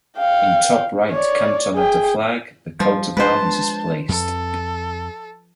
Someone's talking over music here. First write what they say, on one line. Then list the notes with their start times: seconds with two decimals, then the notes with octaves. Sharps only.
In top right canton of the flag the Coat of Arms is placed.
0.18 F5 G5
1.11 C#5 D5
1.74 G#4 G5
2.80 F3 G3
3.17 G#3 D4 B4 C5 A5
4.09 F2 A4